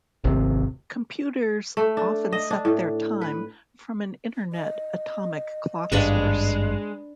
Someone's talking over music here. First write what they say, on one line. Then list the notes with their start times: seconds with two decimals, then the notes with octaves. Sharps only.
Computers often set their time from an internet atomic clock source.
0.24 D#1 G#1 C3
1.77 A3
1.97 D4
2.32 D#5
2.51 D4
2.65 A2
3.21 B4
4.53 D#5
5.92 G#1 G2 G#3 D4 B4 C#6